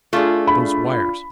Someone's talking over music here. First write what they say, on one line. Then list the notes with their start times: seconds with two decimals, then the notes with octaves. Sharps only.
Those wires!
0.13 A3 D4 F4 G#4
0.47 B5